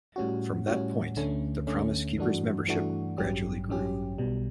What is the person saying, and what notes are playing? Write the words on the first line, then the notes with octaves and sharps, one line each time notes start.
From that point, the Promise Keepers' membership gradually grew.
A2 G3 C#4 F#4
A2 G3 C#4 F#4
D2 D3 A3 C#4
D2 D3 A3 C#4
G2 E3 A3 D4 F#4
G2 E3 A3 D4 F#4
A1 G2 F#3 C#4 G4
A1 G2 F#3 C#4 G4
B1 B2 G3